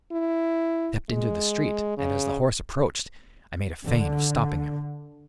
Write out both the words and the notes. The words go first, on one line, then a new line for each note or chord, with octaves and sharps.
I stepped into the street, and as the horse approached I made a feint of stopping him.
E4
G#3
C#3
D3